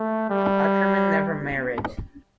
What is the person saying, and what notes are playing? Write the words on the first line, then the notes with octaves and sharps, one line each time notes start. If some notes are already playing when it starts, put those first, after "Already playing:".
Ackermann never married.
Already playing: A3
G3